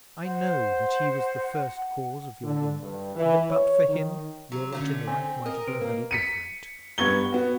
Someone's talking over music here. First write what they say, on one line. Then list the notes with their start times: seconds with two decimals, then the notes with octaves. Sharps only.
I know that he was the first cause of your ruin; and that, but for him, your lot in life might have been very different.
0.24 C5 F#5
2.44 D3
2.82 G2
3.16 E3
3.50 C#5
3.89 D#3
4.52 F#3
4.72 D3 A3 C#4
5.07 C4 G#5
5.46 A#4 D#5
5.68 C3 A#4 B4 D7
5.82 A#3
6.11 B6 C#7 D#7
6.98 G2 B3 C#6 G#6 G7
7.32 B3 F#4